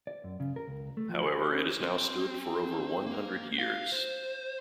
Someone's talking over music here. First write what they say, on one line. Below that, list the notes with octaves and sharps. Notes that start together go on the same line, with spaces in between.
However, it has now stood for over one hundred years.
D5
F#2
C#3
A#4
C#2
A3
F3
G#4
C#4
C4
A#3
F5
C5